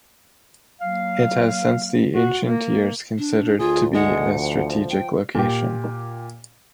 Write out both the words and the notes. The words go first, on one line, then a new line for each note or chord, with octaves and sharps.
It has since the ancient years considered to be a strategic location.
F#3 A#3 F5
F#4
A#3
D4
D2 F4 G#4
G#3 F#5
F3
G5
A#2 G4